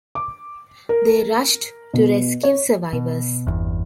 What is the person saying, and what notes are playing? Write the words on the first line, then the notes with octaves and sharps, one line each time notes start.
They rushed to rescue survivors.
D6
A#4
B2
C#5
B2
G1 E2